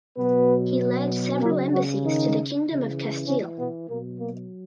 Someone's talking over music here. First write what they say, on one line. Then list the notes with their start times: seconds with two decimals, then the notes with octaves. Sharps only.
He led several embassies to the Kingdom of Castile.
0.18 B2 F#3 B3 B4
1.41 C#3 F#3 A#3 A#4
1.72 F#3 F#4
2.03 D#3 D#4
2.66 C#3 E3
3.26 C#3 C#4
3.58 B2 B3
3.89 B2 F#3 A#3
4.20 A#3